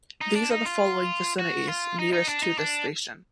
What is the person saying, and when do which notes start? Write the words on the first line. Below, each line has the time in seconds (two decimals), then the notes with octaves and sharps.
These are the following victinities nearest to this station.
0.21 D#4
0.36 D4
0.51 D#4
0.65 F4
1.39 F#4
1.69 F4
1.99 D#4
2.13 D#4
2.28 D4
2.43 D#4
2.58 D4